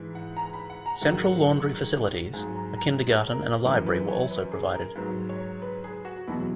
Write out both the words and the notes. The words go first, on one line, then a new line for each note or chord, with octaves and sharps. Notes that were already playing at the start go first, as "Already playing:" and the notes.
Central laundry facilities, a kindergarten and a library were also provided.
Already playing: G#2 E3
F#5
A#5
B5
F#5
A#5
G#2 D#3 F#3 F#5
F#5
F#5
G#2 F#3 G#5
A#5
A#5
A#4
F#2 E3 A#4
B4
C#5
B4
G#4
A#4
G#2 F#3 B4
C#5
B4
G#4
F#4
E2 B2 F#3 E4